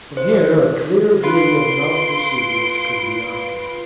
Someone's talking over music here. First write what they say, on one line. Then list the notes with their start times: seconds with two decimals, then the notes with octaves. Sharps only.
From here a clear view of Mt. Vesuvius could be obtained.
0.17 C5
1.23 F4 B4 C6 D7